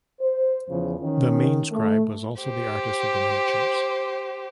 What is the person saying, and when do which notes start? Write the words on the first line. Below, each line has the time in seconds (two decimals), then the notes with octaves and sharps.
The main scribe was also the artist of the miniatures.
0.21 C5
0.69 E2 C#3 F3
1.01 D#3 C#4
1.72 A3
2.41 G4 C5